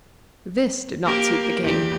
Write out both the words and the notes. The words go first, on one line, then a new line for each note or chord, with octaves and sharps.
This did not suit the king.
A#3 G4 A#4
E2 G4